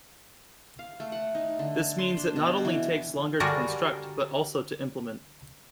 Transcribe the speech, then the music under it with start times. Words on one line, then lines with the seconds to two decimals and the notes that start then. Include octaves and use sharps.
This means it not only takes longer to construct, but also to implement.
0.79 F5
1.00 A3
1.12 F#5
1.35 D#4
1.59 D3
1.98 C6
2.17 D4
2.36 B2
2.65 E3
3.40 D3 G3 D4 F#4 G#4 A#4